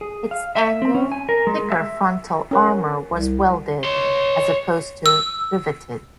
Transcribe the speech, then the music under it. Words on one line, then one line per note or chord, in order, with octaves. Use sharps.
Its angled, thicker frontal armor was welded, as opposed to riveted.
G#4
F5
E5
C4
C#4
G#5
A#4
G#3
E5
C#4 A#4 F#5
C2
C#5 C6
E6